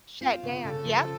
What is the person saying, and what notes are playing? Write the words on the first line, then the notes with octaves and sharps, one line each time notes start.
shut down Yep.
C4 F4
C#3
C#3 A4
F3